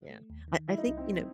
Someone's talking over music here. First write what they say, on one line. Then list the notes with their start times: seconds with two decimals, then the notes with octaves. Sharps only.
yeah, I I think, you know,
0.10 A3
0.30 D#2
0.48 D#3
0.68 G3 E4
0.78 D#4
0.87 C2
0.97 C4
1.06 G3